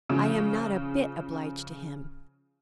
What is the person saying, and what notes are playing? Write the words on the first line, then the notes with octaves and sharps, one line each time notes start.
I am not a bit obliged to him.
C#3 F3